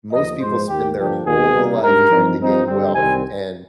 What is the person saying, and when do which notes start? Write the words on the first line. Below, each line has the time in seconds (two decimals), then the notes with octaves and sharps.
Most people spend their whole life trying to gain wealth, and
0.12 D#2 D3 F3 D#5
0.40 G#2 F3 G#3 C5
0.69 D#2 D#3 A#3 G4
0.97 G2 D3 F3 A#3 D4 G4
1.25 D#2 D#3 G#3 G#4
1.53 C3 G3 A#3 D#4
1.82 G#2 G3 D4 A#4
2.10 G2 F3 C4 D#4
2.38 G2 F3 C4 D#4
2.66 G2 D3 G3 C4
2.95 C2 C3 D#3 G3 C4 G#5